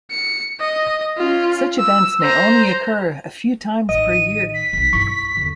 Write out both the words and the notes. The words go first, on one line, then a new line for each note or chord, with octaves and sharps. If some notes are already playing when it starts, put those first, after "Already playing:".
Such events may only occur a few times per year.
C#7
D#5
C#4 F4
E6
C5 A#5
A1 D#3 D#5 D#7
B6
E1 B1
G2 E4 C#6
E2 D3